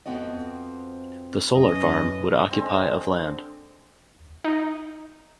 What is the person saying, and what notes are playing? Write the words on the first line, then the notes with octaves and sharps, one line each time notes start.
The solar farm would occupy of land.
F2 B2 B3 C4 F#4 D#5
F#2 C#4 E4 A4 B4 D#5
D3 G#3 C4
D#4